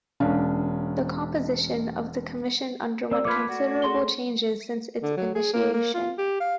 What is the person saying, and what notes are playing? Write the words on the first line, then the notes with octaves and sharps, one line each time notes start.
The composition of the Commission underwent considerable changes since its initiation.
E1 C#4 D4 F5
C4 A#4 D5 E6
A3 A#3 F4 A4 B4 D6 F6 G#6
A3 F#4 D5
G#4 C6 G7
D3
F#3
G#4
A#3
A#3
F4
G4
F5